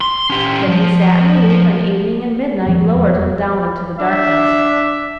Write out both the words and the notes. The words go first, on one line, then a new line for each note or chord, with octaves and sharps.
Then he sat in the loop, and Evening and Midnight lowered him down into the darkness.
C6
C#4 G4
F3
E1 F2 F3 B3
D4 E5